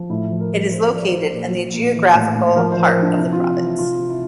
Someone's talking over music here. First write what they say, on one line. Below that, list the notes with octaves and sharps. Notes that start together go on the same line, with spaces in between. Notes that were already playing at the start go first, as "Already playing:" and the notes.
It is located in the geographical heart of the province.
Already playing: F3
A2 E4
F3
A#4
F3
F3 C5
F3 D5
F3 C5
A#2
F3
A#2
E3
A2
A2
F3 A#4
C5
F3
A#4
F3
D4
C3 E4
F4
C3
E4
E3 E4
C3 F4
C3
E4